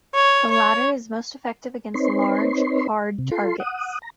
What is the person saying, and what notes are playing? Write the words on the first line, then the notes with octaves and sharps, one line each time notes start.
The latter is most effective against large, hard targets.
C#5
C#5
C4 D#4 B4 C#5 C6
C3
F4 A4 C6
F#5 D#6
A#5